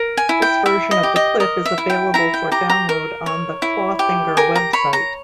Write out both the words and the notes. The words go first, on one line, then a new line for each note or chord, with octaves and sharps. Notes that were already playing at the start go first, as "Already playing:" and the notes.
This version of the clip is available for download on the Clawfinger website.
Already playing: A#4
G#5
E4
G5
E4 E5
D#5
G4
D#5
A#4 D#5
E5
E4
G5
E4 A#5
G5
G4 A#5
A#5
A#4
C#5
E4
G4
A#4 G#5
A#5
C#5 B5
A#5